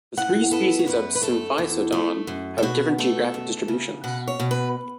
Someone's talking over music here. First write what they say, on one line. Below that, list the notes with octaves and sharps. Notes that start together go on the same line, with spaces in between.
The three species of "Symphysodon" have different geographic distributions.
A2 F#5
B3 A4
C#5
F#2 B4
B4
A3 A4
E2
A3
F#2
A4
B2 F#4
A3 A4
F#2
C#3
B2 F#5
C#5
B2
B4